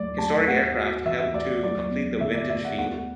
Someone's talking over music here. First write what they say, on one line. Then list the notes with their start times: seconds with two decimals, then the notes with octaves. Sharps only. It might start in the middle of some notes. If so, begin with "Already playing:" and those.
Historic aircraft help to complete the vintage feel.
Already playing: F#3 A3 D5
0.18 A3 A5
0.47 B3 F#5
0.76 F#4
1.05 E3 E5
1.20 E5
1.34 A3 D5
1.63 F#3 D5
1.91 B3
2.21 D3 E5
2.35 D5
2.50 A3 E5
2.65 F#5
2.79 B3 F#5